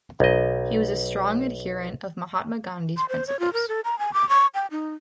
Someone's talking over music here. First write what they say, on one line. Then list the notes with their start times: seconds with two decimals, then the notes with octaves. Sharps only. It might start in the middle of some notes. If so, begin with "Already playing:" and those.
He was a strong adherent of Mahatma Gandhi's principles.
0.20 B1 D#5
2.97 C6
3.09 C5
3.27 C#5
3.40 F4
3.53 A#4
3.68 A4
3.85 A#5
3.99 G#5
4.14 D6
4.29 C#6
4.55 G5
4.71 D#4